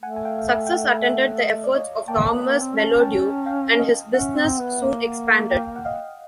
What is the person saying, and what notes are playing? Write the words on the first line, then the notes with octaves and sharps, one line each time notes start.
Success attended the efforts of Thomas Mellodew and his business soon expanded.
A3 F#5 G#5
G#5
F5 G5
F5
E5 F#5
G5
E5 F#5
E5 F#5
D#5 F5
D5
C#5 D#5
A#3 G5 A5
A#3
A#3
C4
C#4 A5
G5 A5
F5 G5
D#5 F5
C#4 E5 F#5
C4
B3
A#3
F5 G5
F#5
D#5 F5